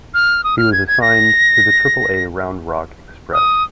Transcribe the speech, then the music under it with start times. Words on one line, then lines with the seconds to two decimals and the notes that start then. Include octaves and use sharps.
He was assigned to the Triple-A Round Rock Express.
0.14 F6
0.44 D#6
0.58 F6
0.72 G#6
0.88 G#6
1.01 A#6
3.33 D#6